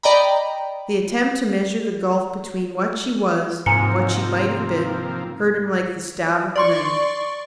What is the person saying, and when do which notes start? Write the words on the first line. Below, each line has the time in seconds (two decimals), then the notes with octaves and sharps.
The attempt to measure the gulf between what she was and what she might have been hurt him like the stab of a knife.
0.03 D5 D#5 G5 A#5 B5
3.66 G#2 C3 F3 A#3 G#5 A#5 C#7
6.56 D5 C6 C#6